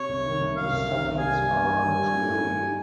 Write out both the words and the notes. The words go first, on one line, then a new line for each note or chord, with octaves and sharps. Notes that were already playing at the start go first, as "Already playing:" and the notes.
The settings are dreary.
Already playing: C3 C#5
C2
D#3
C2
C3 F5
C2
D#3
C2
G3 G#5
G2
A#3
G2
G3
G2
A#3
G2
G3
D#4